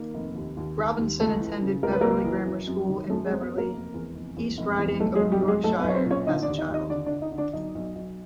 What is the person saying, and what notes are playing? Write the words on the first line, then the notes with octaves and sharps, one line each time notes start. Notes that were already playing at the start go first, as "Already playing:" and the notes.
Robinson attended Beverley Grammar School in Beverley, East Riding of Yorkshire, as a child.
Already playing: D#3 A#3 A#4
F1
D#2
D#2
D#3
D#2
C#2 A3 A4
E3
C#3
C#2 A#4
B4
C#2 A#3 A#4
E3
F#2
F#2
D#3
F#2 A3 A4
G#3 G#4
F#2 C5
B3 B4
F#2
A#3 A#4
F1
E2
F1
E2
F1
E2
B1 A3 A4
G#3 G#4
B1
G3 G4
B1
G#3 G#4
B1 A3 A4
B3 B4
B1 C#5
C4 C5
A#2
C#4 C#5
D3 D#4 D#5
D4 D5
D#2
D#4 D#5
D#2
D#4 D#5
D3 D4 D5
D4 D5
D3
D#4 D#5
D3
D4 D5
B1 D#4 D#5
B1
B1